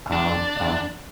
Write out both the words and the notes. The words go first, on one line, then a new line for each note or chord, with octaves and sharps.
I'll I'll
D4